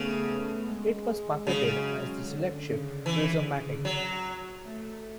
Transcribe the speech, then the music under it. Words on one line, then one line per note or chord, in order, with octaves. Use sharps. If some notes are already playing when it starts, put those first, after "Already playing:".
It was marketed as the "SelectShift Cruise-O-Matic".
Already playing: C#3 A3 B3
G#3
C#3 F#3
D3
C#3
D3 E3
F#3
A3